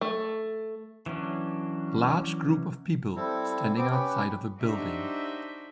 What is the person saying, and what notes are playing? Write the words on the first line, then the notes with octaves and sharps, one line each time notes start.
Large group of people standing outside of a building.
A3
E3 F#3 C#4 D4
G3 C4 E4 A4
B3 C4 D6
C#4 G4 B4
D4 D#4 F#4 G4 C5 E5